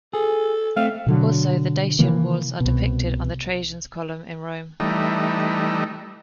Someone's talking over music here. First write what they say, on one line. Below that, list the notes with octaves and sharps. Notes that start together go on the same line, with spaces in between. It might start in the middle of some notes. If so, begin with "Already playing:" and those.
Also the Dacian walls are depicted on the Trajan's column in Rome.
G#4 A4
A3 C4 F5
B2 D3 F#3
C3 D#3 E3 A#3
C2 B2
E3 G3 A3 D#4